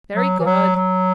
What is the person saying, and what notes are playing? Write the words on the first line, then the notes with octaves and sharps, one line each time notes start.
Very good.
F#3
E3
F#3
F#3